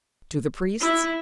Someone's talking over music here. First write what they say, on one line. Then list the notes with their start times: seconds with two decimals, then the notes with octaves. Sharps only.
"To the priests?"
0.80 E4